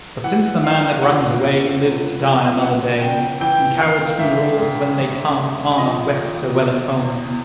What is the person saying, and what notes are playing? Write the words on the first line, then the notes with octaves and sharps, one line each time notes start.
"But since the man that runs away Lives to die another day, And cowards' funerals, when they come Are not wept so well at home."
E3 F#5
E3 F5
F2 F#5
E3
C#2
F3
C#3 F#5
C#3 G5
E3 G5
E3 F5
G#2 E5
G#2
D3
D#2
F3 D#5
D#2
B2
E2